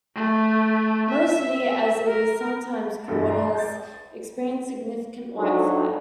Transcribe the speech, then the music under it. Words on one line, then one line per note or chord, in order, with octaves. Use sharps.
"Mo City", as it is sometimes called, has experienced significant "white flight".
A3
E5
A#4
G2 B2 E3 G3
D5 A#5 C6
G6 A6
F3 F#3 D4 D#4 F#4 A4